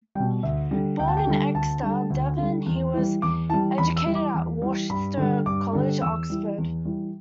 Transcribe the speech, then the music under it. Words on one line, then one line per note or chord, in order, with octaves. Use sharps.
Born in Exeter, Devon, he was educated at Worcester College, Oxford.
B2 G3 G5
D2 E5
D3 G3
D2 G5
A5
G5
D3 G3
D2 A5
D3 G3
D2
D3 G3
E2
E3 G3
E2 D6
E3 G3 A5
E2 B5
E6
E3 G3
D6
E2
E3 G3
G2 B5
D3 G3
G2 D6
D3 G3
E2 E6
E3 G3
E2
E3 G3